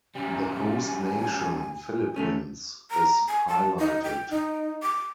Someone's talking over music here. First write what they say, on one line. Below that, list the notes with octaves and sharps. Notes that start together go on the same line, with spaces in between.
The host nation, Philippines, is highlighted.
F#2 G3 G#5
D3 A3 C#4
A#5
G#5
A5
D#4
G5
D#4
D6